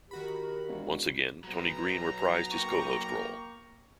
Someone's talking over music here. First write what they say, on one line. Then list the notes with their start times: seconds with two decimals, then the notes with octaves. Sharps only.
Once again, Tony Green reprised his co-host role.
0.11 D#3 F#4 G4 A#4 B5
0.68 E1
1.44 F#3 B3 A#5
2.52 A#3 G5 C#6